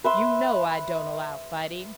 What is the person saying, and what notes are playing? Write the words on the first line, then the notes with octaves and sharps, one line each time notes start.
"You know I don't allow fighting."
B4 E5 C6